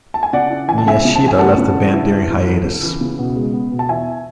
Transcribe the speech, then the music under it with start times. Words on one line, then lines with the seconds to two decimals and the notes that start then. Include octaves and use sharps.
Miyashita left the band during hiatus.
0.14 A5
0.23 G#5
0.33 C#3 D5 F#5
0.50 E4
0.68 E3 G#5
0.78 A5
0.87 C#3 E5 G#5
1.05 C#3
1.16 A5
1.22 E3
1.28 G#5
1.38 A3 F#5 A5
1.58 C#3
1.76 E3
1.93 E4
2.11 E4
2.29 E3
2.47 E3
2.65 C#3
2.83 E3
3.01 C#3
3.19 B2
3.36 G#3
3.53 B3
3.72 B2
3.79 A5
3.89 E2 E5 G#5